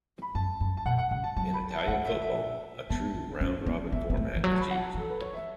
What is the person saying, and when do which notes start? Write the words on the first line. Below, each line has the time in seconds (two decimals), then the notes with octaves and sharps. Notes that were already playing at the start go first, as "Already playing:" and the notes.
In Italian football, a true round-robin format is used.
0.22 B5
0.35 F#2 A5
0.60 F#2
0.77 A5
0.85 B2 F#5
0.98 F#5
1.11 C#3 F#5
1.24 A5
1.37 F#3 A5
1.54 B5
1.71 A5
1.81 E5
1.88 A3 F#5
2.05 E5
2.22 E5
2.90 B3 A5
3.41 C#4
3.67 B3
3.92 B3 E5
4.10 B3
4.17 A3
4.36 E3
4.43 F#3 C#5
4.52 A5
4.60 B5
4.71 F#5
4.77 A5
4.94 E3 A4
5.09 B4
5.21 C#5
5.34 E5